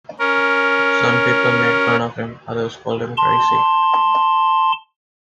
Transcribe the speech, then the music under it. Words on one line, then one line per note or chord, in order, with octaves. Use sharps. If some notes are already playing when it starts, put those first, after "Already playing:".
Some people made fun of him, others called him crazy.
C#4 A#4
A5 C6